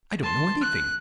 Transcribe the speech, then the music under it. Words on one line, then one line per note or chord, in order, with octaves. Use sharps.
I don't know anything.
A5 C6
F#6